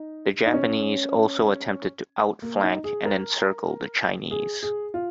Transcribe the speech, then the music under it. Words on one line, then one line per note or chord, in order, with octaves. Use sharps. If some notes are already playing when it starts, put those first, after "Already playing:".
The Japanese also attempted to out-flank and encircle the Chinese.
Already playing: D#4
D#4
C#4
A#3
D#4
G#4
A#4
G#4
G#4
F4